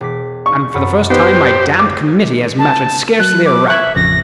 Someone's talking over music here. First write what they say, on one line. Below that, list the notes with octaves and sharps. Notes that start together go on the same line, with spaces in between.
"And for the first time my damned Committee has mattered scarcely a rap."
E1 D6 B6
C#6
F#2 B5 C#7
B3 G4 C5
D6 F6 G6
A5
F#3 F#6
D6
E5 C#6 F#6 G#6
A1 F2 C#3 A#6